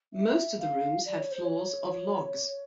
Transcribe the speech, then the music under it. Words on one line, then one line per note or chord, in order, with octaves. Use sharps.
Most of the rooms had floors of logs.
E5
F5
D5
C#5
C5
C#5